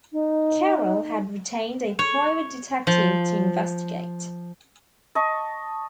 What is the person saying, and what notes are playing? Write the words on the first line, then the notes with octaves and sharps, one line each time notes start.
Carroll had retained a private detective to investigate.
D#4
C#5
F3
D#5 A5 C#6